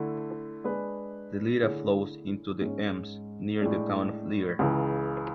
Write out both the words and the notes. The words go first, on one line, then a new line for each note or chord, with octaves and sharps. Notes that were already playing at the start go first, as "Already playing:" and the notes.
The Leda flows into the Ems near the town of Leer.
Already playing: D3 A3 E4
G#3 D4 G#4 B4
D3 A3 E4 G#4 C#5
G#2 G#3 C#4
A2 G#3 D4
C#2 C#3 E3